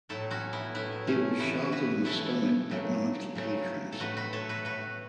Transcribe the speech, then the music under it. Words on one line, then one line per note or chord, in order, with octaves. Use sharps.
He was shot in the stomach by one of the patrons.
A2 F#3 A3 E4 A4
C#4 F#4
B3 E4
A2 F#3 A3 B3 E4
A3 C#4
C#3 E3 A3 B3 E4
F#4 B4
C#3 E3 A3 E4 A4
C#3 F#3 A3
C#3 F#3 A3
A4
A2 A3 F#4 B4
F#4 B4
A4 C#5
F#4 B4
A2 A3 F#4 B4